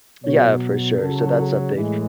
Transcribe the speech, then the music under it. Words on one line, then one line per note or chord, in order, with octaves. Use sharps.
yeah, for sure, so that's something
B2 F#3 C#5
C#3 F#3 A4
A2 E3 G#3